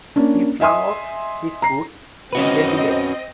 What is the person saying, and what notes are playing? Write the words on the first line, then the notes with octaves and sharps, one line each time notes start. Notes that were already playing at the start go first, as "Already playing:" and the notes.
He flung off his boots and went to bed.
A#3 C#4 D4
D#5 E5 G#5 C6 D#6
A#5 C7
C4 C#4 F#4 B4 D#5